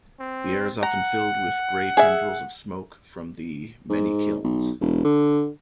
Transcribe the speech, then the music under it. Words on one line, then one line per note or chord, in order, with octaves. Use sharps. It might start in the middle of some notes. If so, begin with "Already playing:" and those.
The air is often filled with gray tendrils of smoke from the many kilns.
C4
F#5 A#5
G#4 E5
G#2
B1
E1
D3